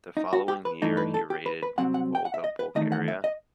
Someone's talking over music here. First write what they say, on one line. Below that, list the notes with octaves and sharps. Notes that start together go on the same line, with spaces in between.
The following year he raided Volga Bulgaria.
D#4
F#4
G4
B4
G2 E3 A3 D#4
B4
A4
G4
B4
B4
C2 B2 F#3 C4 F#5
F#5
G5
F#5
E5
D#5
B4
E2 D#3 A3 D#4 D#5
F#5
E5
D#5